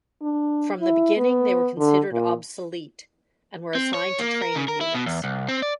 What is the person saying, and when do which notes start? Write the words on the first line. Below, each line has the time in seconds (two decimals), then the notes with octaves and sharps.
From the beginning they were considered obsolete, and were assigned to training units.
0.22 D4
0.81 E4
1.17 B3
1.78 D3
2.12 A#2
3.75 C4
3.94 C#5
4.19 A#3
4.42 A#4
4.55 C#3
4.68 A#4
4.81 E4
4.95 B2
5.06 E2
5.24 C2
5.48 C4
5.62 D5